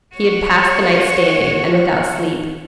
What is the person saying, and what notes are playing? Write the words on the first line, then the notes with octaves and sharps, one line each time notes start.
He had passed the night standing, and without sleep.
F#4 C#5